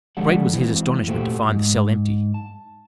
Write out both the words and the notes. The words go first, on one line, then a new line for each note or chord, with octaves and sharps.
Great was his astonishment to find the cell empty!
D3 F3 G3 G#3 A4 F#5
E3 G#3 C4
A#2 A3 F#4 G4 C5
G#2
A5